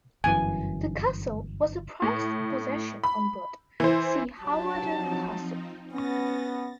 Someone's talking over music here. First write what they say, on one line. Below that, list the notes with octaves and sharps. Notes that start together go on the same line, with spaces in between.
The castle was a prized possession onward, see Hawarden Castle.
G1 F#2 E3 G#5
A2
B5
E3 C5
F#3 D4 G4 A5
F3 C4 D#4
B3 C#4 A6 A#6